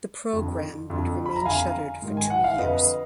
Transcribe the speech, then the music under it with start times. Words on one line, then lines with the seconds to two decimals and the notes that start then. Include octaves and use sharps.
The program would remain shuttered for two years.
0.33 F2 D3
0.90 F2 D3
1.26 B5
1.36 A#5
1.45 F2 D3 F5 G#5
2.02 G#2 D#3
2.17 G#5
2.30 F#5
2.44 F5
2.59 F2 D3 B4 D#5